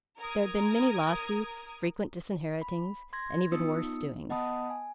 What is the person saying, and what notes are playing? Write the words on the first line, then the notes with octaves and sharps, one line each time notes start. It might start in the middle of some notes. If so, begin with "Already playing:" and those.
There had been many lawsuits, frequent disinheritings, and even worse doings.
A#4 D#6 G#6
B5
C6 G#6 A#6
B3 D#4 F4 D#6 E6 C#7
B3 D#5 F#5 A5 B5 D#6
G#5